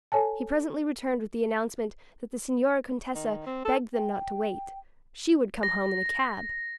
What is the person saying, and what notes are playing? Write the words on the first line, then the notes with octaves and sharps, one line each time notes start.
He presently returned with the announcement that the Signora Contessa begged them not to wait--she would come home in a cab!
A4 C#5 G#5 A5
D#3
C4
A4
G5
A#6